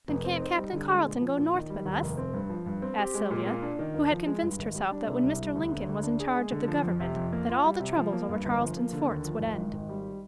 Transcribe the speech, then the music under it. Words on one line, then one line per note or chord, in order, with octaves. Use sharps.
"Then can't Captain Carleton go north with us?" asked Sylvia, who had convinced herself that when Mr. Lincoln was in charge of the Government that all the troubles over Charleston's forts would end.
F1
C4
D#4
G3
D3
G#3
A#2
F3
A#2
D#3
G3
D#2
F1
C4
G2
F3
G2
C4
G4
G#3
A#2
A#3
D4
D#3
D#2
F3
G#3
G2
G#1
G3
D4
C3
C2
G3
D2
D3
D2
D4
G#4
G#3
D3
F3
F2
C3
F2
A#3
F4
G3
C3
F3
A#3
G2
G1
F3
A#3
D3
D#2
F3
G#1
G#2
G#1
G3